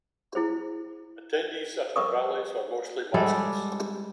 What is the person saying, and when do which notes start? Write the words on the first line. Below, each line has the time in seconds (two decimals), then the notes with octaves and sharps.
Attendees at her rallies were mostly maskless.
0.35 E4 G#4 C5
1.96 A#4 B4 C#6 D#6
3.14 G3 G#3 A4